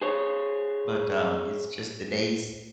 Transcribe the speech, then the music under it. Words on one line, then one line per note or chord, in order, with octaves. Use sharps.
but, um, it's just the days,
G#4 C5 C#5